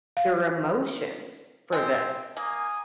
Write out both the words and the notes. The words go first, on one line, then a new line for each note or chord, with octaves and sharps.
their emotions for this.
F5
G#3 C4
A#3 G#5 D#6